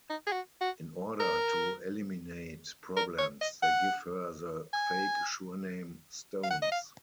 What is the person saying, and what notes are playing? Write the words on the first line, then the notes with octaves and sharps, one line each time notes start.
In order to eliminate problems, they give her the fake surname Stones.
D#4
G#4
F#4
F#4
A#4
A#4
C#5
D#5
F#5
G#5
F5
F#5
D#5
F5